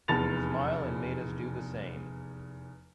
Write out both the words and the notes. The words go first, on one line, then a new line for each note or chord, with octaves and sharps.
Smile and made us do the same.
F1 E2 A5 B5 A6 F7